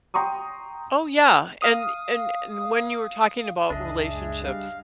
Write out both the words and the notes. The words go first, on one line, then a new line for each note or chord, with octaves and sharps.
Oh, yeah, and and and when you were talking about relationships,
G5 A#5 C6 C#6 D#6
F5 D#6
C#2 F#2 D4 G#4 D#5 E5
G#3
G3 F5